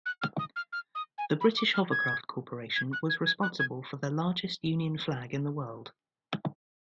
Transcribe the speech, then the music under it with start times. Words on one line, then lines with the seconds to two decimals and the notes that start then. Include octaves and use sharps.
The British Hovercraft Corporation was responsible for the largest Union Flag in the world.
0.06 F#6
0.21 F6
0.39 D#6
0.56 F6
0.72 F6
0.95 D#6
1.18 G#5
1.41 B5
1.57 D6
1.74 F6
1.91 G#6
2.76 G#6
2.93 F#6
3.10 G#6
3.26 G#6
3.43 F#6
3.59 G#6